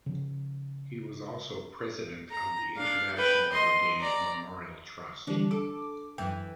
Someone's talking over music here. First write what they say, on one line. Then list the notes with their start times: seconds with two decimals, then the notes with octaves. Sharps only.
He was also President of the International Brigade Memorial Trust.
0.06 C#3 F3
2.31 A#5
2.76 D4 F5
3.16 B4 G5
3.52 D#5 C6
4.00 D5 A#5
5.27 D3 E3 G3 D4
5.51 A4 D6
6.18 F#2 E3 G5